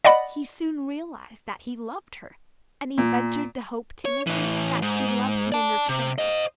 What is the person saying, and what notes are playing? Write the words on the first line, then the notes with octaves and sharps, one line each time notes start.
He soon realized that he loved her, and he ventured to hope timidly that she loved him in return.
D5 D#5 F#5 B5
A#2
C#5
A2 E3
G#2
D5 A5
C3
C5 D#5